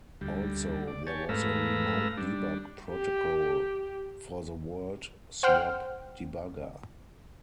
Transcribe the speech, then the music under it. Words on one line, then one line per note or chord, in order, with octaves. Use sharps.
Also, there was a remote debug protocol for the world-swap debugger.
D2 G3
D5
G4 C#5 G#5 A5
G#2 A3 B4 F5 A#5 E6
G3 D4
G4
C5 F#5 G5 F6